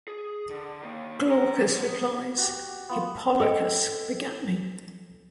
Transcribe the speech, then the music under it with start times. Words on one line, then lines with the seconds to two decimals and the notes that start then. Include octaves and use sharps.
Glaucus replies: Hippolochus begat me.
0.08 G#4
0.50 D3
0.82 D#3 A#3
1.28 G#4 A#5
1.59 E2 B2
1.82 B3
2.38 F#4 G4
2.89 B3 F4
3.40 A4 D#5 G5